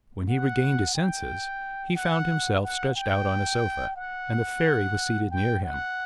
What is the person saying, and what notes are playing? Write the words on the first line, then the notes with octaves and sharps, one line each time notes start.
When he regained his senses, he found himself stretched out on a sofa and the Fairy was seated near him.
F#5
G5
F#5
F#5
G5
F#5
G5
F#5